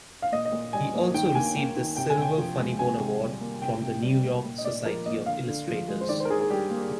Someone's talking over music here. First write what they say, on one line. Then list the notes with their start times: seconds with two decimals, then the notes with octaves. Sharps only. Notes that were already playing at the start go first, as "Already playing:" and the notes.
He also received the Silver Funnybone Award from The New York Society of Illustrators.
0.22 F5
0.32 A#2 D#5
0.45 D#5
0.52 A#2
0.73 G3 G#5
0.95 A#3
1.14 D#3 G5
1.26 G5
1.35 A#3 G#5
1.56 A#3
1.76 D#3
1.97 C3 G5
2.10 G#5
2.18 C3 G5
2.38 F3
2.59 G#3
2.79 C3 G#5
2.99 C3
3.21 G3
3.41 A#3
3.61 C3 G5
3.82 C3
4.03 G3
4.24 A#3
4.44 A#2
4.58 D#5
4.65 A#2 D5
4.85 F3 A#4
5.06 A#3 D#5
5.26 D3 F5
5.47 D3
5.67 F3
5.88 G#3
6.01 C5
6.09 D#3 D5
6.20 C5
6.25 A#4
6.30 D#3 G#4
6.40 G#4
6.50 G3 G4
6.70 A#3